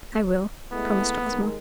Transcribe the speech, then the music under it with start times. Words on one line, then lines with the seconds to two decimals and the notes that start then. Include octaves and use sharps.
"I will," promised Ozma.
0.72 G#3 A3 B3 E4
1.29 D#2 G#3 A#4